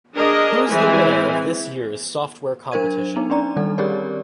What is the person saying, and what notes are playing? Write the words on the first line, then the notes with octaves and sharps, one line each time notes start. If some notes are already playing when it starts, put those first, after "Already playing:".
Who's the winner of this year's software competition?
D4 G#4 A#4 D#5
E3 G#3 C4 G#5
F#3 D4 A#4 C5 G#6 D#7
B3 D#4
C#4 D4 D5 A#5
D#3 G3 A4
C4 G4 G#4 A#4 C#5 D5